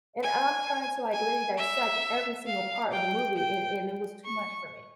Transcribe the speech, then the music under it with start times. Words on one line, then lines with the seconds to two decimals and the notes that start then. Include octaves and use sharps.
and and I'm trying to, like, literally dissect every single part of the movie and and it was too much for me.
0.23 G#5
1.13 G#5
1.57 E5
2.46 F5
2.91 G5
3.36 G5
4.25 C#6